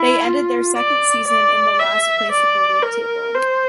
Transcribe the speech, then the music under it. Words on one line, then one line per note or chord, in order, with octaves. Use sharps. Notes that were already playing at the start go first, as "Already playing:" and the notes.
They ended their second season in the last place of the league table.
Already playing: E4
F4
D5
D5
E5
D5
A#4
C5